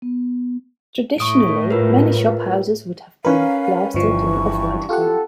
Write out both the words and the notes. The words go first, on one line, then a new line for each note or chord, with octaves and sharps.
Traditionally, many shophouses would have been plastered an off-white colour.
B3
A2 C#6 D#6 D7
F4 A#4 B4
C#4 A#4 B4 F5
G1 G2 E3 F3 C#6
F4 G4 A4 F#5